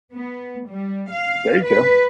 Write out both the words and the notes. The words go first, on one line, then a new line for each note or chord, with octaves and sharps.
there you go.
B3
G3
F5
B4